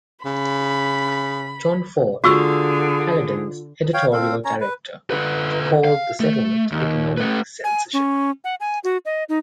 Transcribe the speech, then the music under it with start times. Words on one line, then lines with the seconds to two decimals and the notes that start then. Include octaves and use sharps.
Jon Ford, Paladin's editorial director, called the settlement economic censorship.
0.25 C#3 B5
2.24 D3 F4 F#4 G#4 F5 C#6 E6
3.94 C#5 F5 G5
4.13 C4 A4 F5
4.45 C#4 C#5 A#5
4.61 B4
5.11 D3 B4
5.85 F5
6.20 A3
6.72 D#2
7.18 A3 B4
7.64 G#5
7.93 C#4
8.44 F#5
8.60 G#5
8.84 F#4
9.05 D#5
9.29 D#4